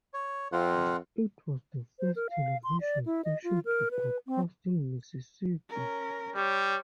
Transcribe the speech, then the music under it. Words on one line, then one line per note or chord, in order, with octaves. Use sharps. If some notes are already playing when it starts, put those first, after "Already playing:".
It was the first television station to broadcast in Mississippi.
C#5
F2 C4 F4 F#5
C5
A#4
F5
C6
D5
E4
D#5
F4
A#4
B4
C4
C#4 A#4
G3 C#5